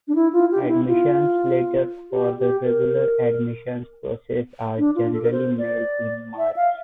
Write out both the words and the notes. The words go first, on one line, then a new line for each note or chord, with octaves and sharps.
Admissions letters for the regular admissions process are generally mailed in March.
D4
E4
F4
G4
D4
E4
F4
G4
G4
A#4
D4
F4
A4
A#4
C5
D5
E5
F5